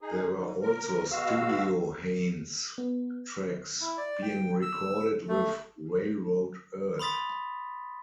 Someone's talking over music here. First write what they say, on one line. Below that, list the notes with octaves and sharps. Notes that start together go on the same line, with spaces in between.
There were also studio Haynes tracks being recorded with Railroad Earth.
D#4 G#4
G#2
A#4
B2 G#3 F#4 F5 E6
B3
E4
D5
G5
E6
A3
B5 C6 D#6 A6 B6